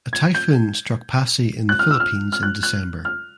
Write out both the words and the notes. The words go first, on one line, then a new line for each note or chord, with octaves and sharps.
A typhoon struck Passi in the Philippines in December.
G#6
G6
F#6
F6
E6
F6
F6
F#6
F#6
F6